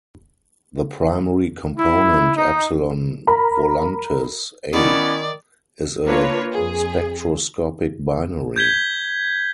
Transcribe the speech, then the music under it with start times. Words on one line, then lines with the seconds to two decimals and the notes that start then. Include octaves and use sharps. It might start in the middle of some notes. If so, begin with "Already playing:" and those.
The primary component, Epsilon Volantis A, is a spectroscopic binary.
1.77 E4
2.36 D#4
3.27 A#4 A#5 B5
4.73 D#3 B3 C#4 E4 D5
6.06 A#3 D4 F4 B4 C#5
6.52 F2 G#4
8.56 G6 G#6 B6 G7